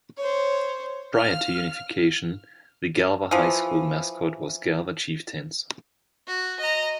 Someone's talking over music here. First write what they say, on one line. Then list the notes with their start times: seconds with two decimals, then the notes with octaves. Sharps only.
Prior to unification, the Galva High School mascot was Galva Chieftains.
0.17 C5 C#5
1.15 F5 F6
3.31 E3 F3
6.27 F#4
6.60 D#5 A#5